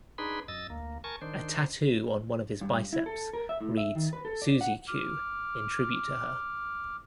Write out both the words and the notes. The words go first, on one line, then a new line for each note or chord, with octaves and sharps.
A tattoo on one of his biceps reads "Suzie Q" in tribute to her.
D4 D#4 G#4 B4 B5 C6
F#2 D#5 E6 A6
D2 A#3
A#4 G#5 A5 C#6
D#3 D4 C5
G2
E4
A4
A#4
E5
A2
E5
D#3
B4
A4
D5
F#5
D6 F6